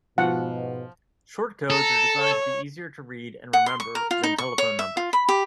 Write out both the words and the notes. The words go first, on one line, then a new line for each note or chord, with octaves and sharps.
Short codes are designed to be easier to read and remember than telephone numbers.
G#2 B2 F3 F#5
A4 A#5
C#5
F#5
C6
C#6
A#4
F4
D#4
C#6
C#5
E5
F4
B5
G4